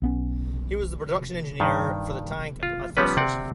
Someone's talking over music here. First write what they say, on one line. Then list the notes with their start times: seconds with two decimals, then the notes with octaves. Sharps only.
He was the production engineer for the tank at Fosters.
0.02 B1 B3 C#4
1.60 G2 D#3
2.63 F4
2.97 F3 G3 B3 C#4 B4
3.17 C3 C4 D5 F#5